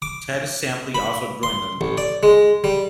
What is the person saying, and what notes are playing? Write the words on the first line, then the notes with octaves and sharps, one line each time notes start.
Ted Sampley also joined them.
D6
B5
C6
A1
D5
G#3
G3